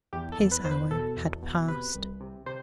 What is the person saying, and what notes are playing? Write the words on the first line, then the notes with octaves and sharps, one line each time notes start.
His hour had passed.
E2 G4
A4
E2
B4
E2 C5
B4
B2 A4
E2
B2
C3 B4
C2
C3
C3 C5